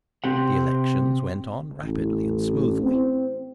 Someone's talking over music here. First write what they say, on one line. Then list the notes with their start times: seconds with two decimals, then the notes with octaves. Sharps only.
The elections went on rapidly and smoothly.
0.24 C3 C4 G4 F#5
1.82 A1
2.82 C4